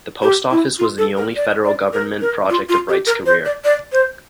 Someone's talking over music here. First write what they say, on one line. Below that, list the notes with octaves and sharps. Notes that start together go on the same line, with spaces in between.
The post office was the only federal government project of Wright's career.
G4
E4
F4
A4
A#4
D5
D5
A#4
A#4
F4
F4
G4
A#4
C5
D5
D5
C5